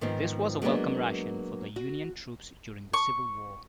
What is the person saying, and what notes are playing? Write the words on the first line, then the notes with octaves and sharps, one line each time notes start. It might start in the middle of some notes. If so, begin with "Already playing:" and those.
This was a welcome ration for the Union troops during the Civil War.
G#2 D#3 F3 B3 C4
F#3 G#3 A#3 B3 D4
F#4
C#6